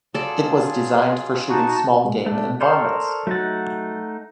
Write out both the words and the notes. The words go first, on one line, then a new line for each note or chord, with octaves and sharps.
It was designed for shooting small game and varmints.
F#3 F4 G#4 A4 D5
D#4 F#4 A5
A#2 G#3
A3 D4
A4 A#4 C5 D5 C6 C#6
F#3 A3 D#4 F#5 A6